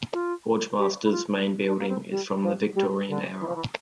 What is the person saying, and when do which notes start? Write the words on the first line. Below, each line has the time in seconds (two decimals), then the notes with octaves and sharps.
Forgemasters' main building is from the Victorian era.
0.13 F4
0.78 G4
1.03 E4
1.11 F4
1.66 D4
1.78 A#3
1.88 C4
2.10 G3
2.42 F3
2.74 G3
3.08 D3
3.40 E3
3.47 F3
3.55 E3